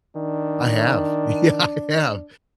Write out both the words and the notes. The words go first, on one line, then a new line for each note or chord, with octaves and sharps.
I have. Yeah, I have,
D#3 D4